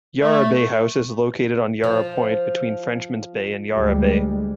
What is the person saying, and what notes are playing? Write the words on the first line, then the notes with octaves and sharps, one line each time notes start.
Yarra Bay House is located on Yarra Point, between Frenchmans Bay and Yarra Bay.
A3
F3
D2 G3 G#3